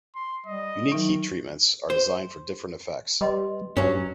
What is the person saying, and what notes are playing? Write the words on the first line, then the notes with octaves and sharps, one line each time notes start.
Unique heat treatments are designed for different effects.
C6
G3 D#5
D#3 F#3 D#4
C5
G3 B4 D#5 C6
G2 F#3 C#4